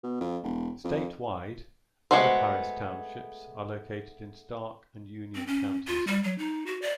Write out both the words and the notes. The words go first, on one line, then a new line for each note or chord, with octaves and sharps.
Statewide, other Paris Townships are located in Stark and Union counties.
B2
F2
E1
F2
G#3 A3 B3 F#4 C5
C4
C#4
F4
G3
F#3
D#4
F#4
D5